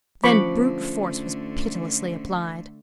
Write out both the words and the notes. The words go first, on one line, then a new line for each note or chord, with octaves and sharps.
Then brute force was pitilessly applied.
D3 F3 A3 C#4 B5 C#6 D6